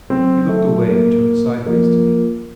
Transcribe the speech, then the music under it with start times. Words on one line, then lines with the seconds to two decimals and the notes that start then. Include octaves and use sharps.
He looked away and turned sideways to me.
0.10 F#3 C4
0.49 A3
0.89 A#3
1.66 F3 A#3